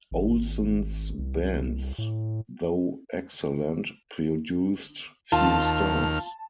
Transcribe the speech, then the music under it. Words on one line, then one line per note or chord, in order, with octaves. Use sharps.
Olsen's bands, though excellent, produced few stars.
G#1
C2
A2
D#2 F4 A5 F6